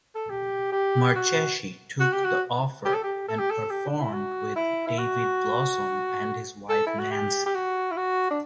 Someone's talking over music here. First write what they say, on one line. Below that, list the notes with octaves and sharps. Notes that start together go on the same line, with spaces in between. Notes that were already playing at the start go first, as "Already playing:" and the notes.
Marcheschi took the offer and performed with David Blossom and his wife Nancy.
A4
G4
G4
F#4
F#4
G4
F#4
G4
A4
G4
A4
G4
A4
G4
D4
E4
F#4
E4
E4
F#4
A4
E4
F#4
G4
G4
F#4
E4
F#4
D4